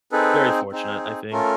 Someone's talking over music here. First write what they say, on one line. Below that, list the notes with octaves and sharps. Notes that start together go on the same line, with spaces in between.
very fortunate, I think.
C4 D#4 G#4 A4 B4
C4 D#4 G#4
A3 C#4 F4 A4 A#4